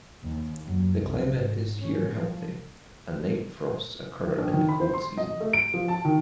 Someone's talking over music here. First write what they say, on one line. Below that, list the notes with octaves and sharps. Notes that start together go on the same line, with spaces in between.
The climate is here healthy, and night frosts occur in the cold season.
D#2
F#2
C2
G#1
C#4
F3
A#1
D#3
B5
C5
C6
D#5
A3
D7
F3
A5
D#3